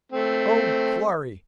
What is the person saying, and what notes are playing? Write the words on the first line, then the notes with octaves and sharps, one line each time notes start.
Oh, glory!
A3 C4